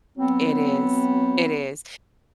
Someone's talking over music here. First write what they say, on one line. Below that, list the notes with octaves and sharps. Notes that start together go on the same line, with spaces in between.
It is, it is,
F#3 B3 C4